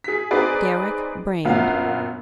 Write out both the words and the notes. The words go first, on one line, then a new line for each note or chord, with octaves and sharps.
Deryck Brand.
G#4 B6
C4 D#4 G#4 B4 D5
G1 F#2 A#2 B3 F5